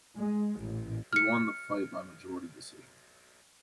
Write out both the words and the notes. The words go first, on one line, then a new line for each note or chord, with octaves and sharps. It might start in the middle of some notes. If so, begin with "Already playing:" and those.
He won the fight by majority decision.
G#3
A1 A#2
F6 C#7